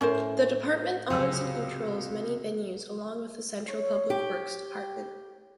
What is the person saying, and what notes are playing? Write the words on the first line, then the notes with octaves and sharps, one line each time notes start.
The department owns and controls many venues along with the Central Public Works Department.
A2 A3 C#4 A#4 C5
C#2 C3 F#3 G#4 E6
C#5
G4